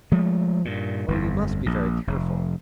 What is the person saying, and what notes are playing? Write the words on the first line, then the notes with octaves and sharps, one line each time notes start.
'Oh! you must be very careful.
F3 G#3 A3
G2 A#2
G1 F2
A#1
F1